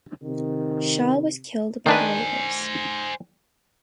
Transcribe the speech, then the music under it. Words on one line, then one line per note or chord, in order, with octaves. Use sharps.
Schaw was killed by the raiders.
C3 D#3
D#3 D4 B4 C5 G#5